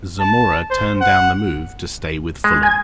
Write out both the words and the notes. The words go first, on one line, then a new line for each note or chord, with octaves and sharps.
Zamora turned down the move to stay with Fulham.
A5
C5
F#5
G#3
G#5